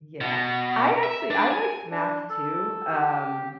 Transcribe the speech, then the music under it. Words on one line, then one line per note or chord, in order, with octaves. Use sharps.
Yeah, I actually I liked math too, um,
B2
E5
D4
G#5
D4
A4
G4